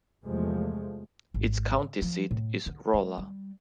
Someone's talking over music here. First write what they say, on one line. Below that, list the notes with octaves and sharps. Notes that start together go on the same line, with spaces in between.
Its county seat is Rolla.
E2 C3 F3 G#3 A3
G#1
F3
A2
D3
G#3
G3